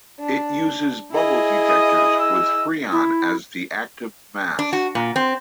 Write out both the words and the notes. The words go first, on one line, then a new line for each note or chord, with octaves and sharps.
It uses bubble detectors with Freon as the active mass.
D4
E4 G#4 D#5
D#6
E6
E4
D4
F#4
A#2
C4